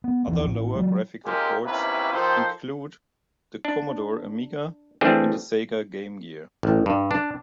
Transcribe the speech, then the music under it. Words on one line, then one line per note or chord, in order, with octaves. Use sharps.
Other lower graphical ports include the Commodore Amiga and the Sega Game Gear.
B3
D#2 E3 F3
A1 A2
F#3 G#3
D#2 G#3 C4 F4 G4 A#4
D#2 C3 A#3 C#4 E4 B4
D#3 F3 G4 A4 C5
D4
E3 G3 A3 C4 D4 G#4
A1
G2
D4